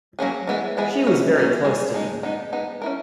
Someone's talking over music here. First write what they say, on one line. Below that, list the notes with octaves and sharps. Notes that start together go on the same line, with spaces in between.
She was very close to him.
F#3 A#3 C#4 G#4
E3 G#3 B3 E4 G#4
E3 G#3 B3 E4 G#4
F#3 C#4 E4
F#3 C#4 E4
G#3 D#4 G#4
G#3 D#4 G#4
G#3 B3 D#4
G#3 B3 D#4
C#4 E4 A#4